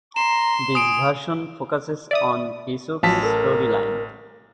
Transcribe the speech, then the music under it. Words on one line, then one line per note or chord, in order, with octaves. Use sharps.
This version focuses on Keisuke's storyline.
A#5 C6 E7
G#5 D#6 D7
D5 E5 D#6
A1 F3 F#3 A5 B6
A4 A#4